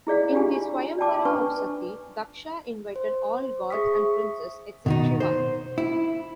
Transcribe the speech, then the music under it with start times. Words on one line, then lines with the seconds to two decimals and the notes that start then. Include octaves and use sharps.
In the Swayamvara of Sati, Daksha invited all gods and princes except Shiva.
0.07 E4 G#4 D5 F5
0.33 D4 F4 G4 G#5
0.98 D5 G5 A5 D6
1.25 D4 B4 G#5 C#6
2.96 C5
3.70 G#4 E5 C#6 D#6 B6
4.86 B2 D#3 D#4
5.20 C5
5.78 E4